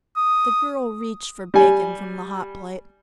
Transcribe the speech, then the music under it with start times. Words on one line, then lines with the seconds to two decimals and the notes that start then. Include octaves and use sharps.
The girl reached for bacon from the hot plate.
0.16 D#6
1.54 G3 G#5